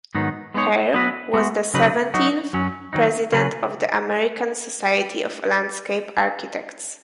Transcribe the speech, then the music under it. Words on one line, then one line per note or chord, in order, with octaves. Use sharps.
Hare was the seventeenth president of the American Society of Landscape Architects.
G#2 D#3 F#3 B3 D#4
G#3 B3 D#4 G#4 C#5
F#3 B3 F#4 B4
G#3 B3 F#4
C#3 F#3 D#4 B4
F#3 D#4 F#4
F#2 F#3 C#4
D#3 F#3 D#4
C#3 F#3 C#4 G#4 B4